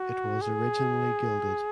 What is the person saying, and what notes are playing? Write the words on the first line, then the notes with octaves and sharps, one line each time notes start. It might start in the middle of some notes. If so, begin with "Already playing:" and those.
It was originally gilded.
Already playing: F#4
G#4